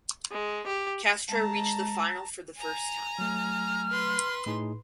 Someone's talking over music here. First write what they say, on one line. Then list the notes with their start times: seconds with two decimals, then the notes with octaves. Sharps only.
Castro reached the final for the first time.
0.31 G#3
0.66 G4
1.29 G#3 A5 A#5
2.58 G#5 A#5
3.19 F#3 A3 F6
3.91 B4 C6
4.46 A2 D#4 G#4